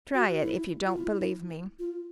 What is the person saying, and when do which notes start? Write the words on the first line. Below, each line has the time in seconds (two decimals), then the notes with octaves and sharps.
Try it, if you don't believe me.
0.14 F#4
0.41 E4
0.86 F4
0.96 E4
1.79 F4